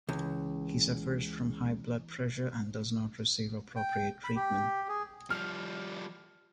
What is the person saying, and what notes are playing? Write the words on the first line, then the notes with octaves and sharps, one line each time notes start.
He suffers from high blood pressure and does not receive appropriate treatment.
C#2 E3
G5
B5
G4
G#4
F3 G3 F6